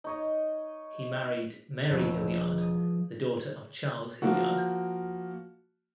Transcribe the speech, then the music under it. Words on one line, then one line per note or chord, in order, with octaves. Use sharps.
He married Mary Hillyard, the daughter of Charles Hillyard.
D#4 C#5 D#5
E1 F3 C#5 E6
G#3
D#6
F3 A#3 F#4